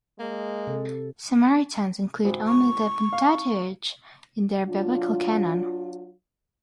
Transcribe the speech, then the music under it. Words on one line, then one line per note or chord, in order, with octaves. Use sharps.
Samaritans include only the Pentateuch in their biblical canon.
G#3 A#3
C3 A4
G#1
C#6
F5
F#3 D4 F4